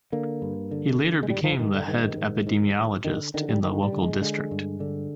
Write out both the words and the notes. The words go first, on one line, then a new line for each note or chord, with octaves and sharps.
He later became the head epidemiologist in the local district.
D3 A#3
G2
D3
D3
G#3
G2 G3
F3
G2 D#3
D3
G#2 D#3
G#2
G#2
G#2
D3 D#3
D3 D#3
G3
D3 D#3
G3
D3
G#3
D3 G#3
G2
D3